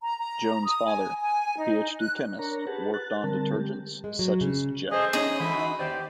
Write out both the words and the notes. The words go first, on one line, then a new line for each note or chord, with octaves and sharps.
Jones' father, a PhD chemist, worked on detergents such as Jif.
A#5
A#5
D#6
G#5
G#5
D#4
F#6
D4 A#4 C#5 A#5
G4 G#4 B4 F#5 A5
F#6 A6
D3 G3 C4 A#4 A5
G#3 G4
G#3
F#3
C#3
A3 G#4 C5 D#5
C#4 D#4 G#4 C5 D#5
E3 G#3 A3 B5
D#4 F#4
D#2 G4 C5 D5